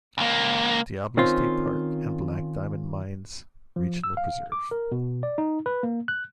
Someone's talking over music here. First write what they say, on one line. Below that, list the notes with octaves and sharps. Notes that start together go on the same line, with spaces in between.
Diablo State Park and Black Diamond Mines Regional Preserve.
C#2 A#3
D#3 C4 C#4 F4
F3
E6
F5
D6
A#4
B2
D5
D#4
B4
A#3
F#6